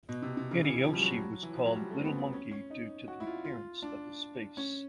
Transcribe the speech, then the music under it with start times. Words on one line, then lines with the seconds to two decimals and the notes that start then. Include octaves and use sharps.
Hideyoshi was called "little monkey" due to the appearance of his face.
0.09 B2
0.22 C3
0.37 C3
0.51 C#3
0.64 E3
0.84 F3
0.94 G3
1.02 F#3
1.43 E3
1.54 F3
1.65 F#3
1.76 G3
1.91 A3
1.98 C4
2.05 B3
2.18 B3
2.33 C#4
2.51 C#4
2.70 D#4
3.08 F#4
3.20 E4
3.27 F4
3.45 F4
3.82 D4
4.57 C#4